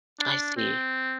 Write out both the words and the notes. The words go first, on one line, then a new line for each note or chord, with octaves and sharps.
I see.
D4
C4